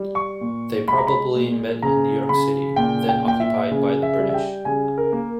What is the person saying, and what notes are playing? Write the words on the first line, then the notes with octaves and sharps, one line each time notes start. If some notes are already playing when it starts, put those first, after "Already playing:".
They probably met in New York City, then occupied by the British.
Already playing: G3
C#6
A#2
G#3 B5
A#5
B5
A#2
C#3 A#5
C#3 B5
A#2 G5
G5
A#2 G5
E5
C#3
E5
G3
E5
G5
C#3 G#5
A#4
A#3